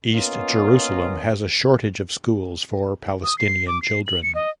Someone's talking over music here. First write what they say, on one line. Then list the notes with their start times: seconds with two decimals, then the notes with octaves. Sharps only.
East Jerusalem has a shortage of schools for Palestinian children.
0.11 A#3 B3 C#4 F4 D#5
3.24 D#6
3.38 C7
3.68 D6
3.82 C7
4.07 F#7
4.23 C#7
4.35 D#5